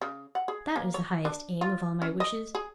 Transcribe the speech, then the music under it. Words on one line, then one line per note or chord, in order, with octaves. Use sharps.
That is the highest aim of all my wishes!
C#3
F#5
G#4
A#3
C#5
D4
F4
C#4
D#5
G#4